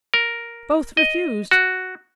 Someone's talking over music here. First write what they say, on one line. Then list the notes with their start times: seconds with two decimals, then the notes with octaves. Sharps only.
Both refused.
0.14 A#4
0.97 D#5
1.51 F#4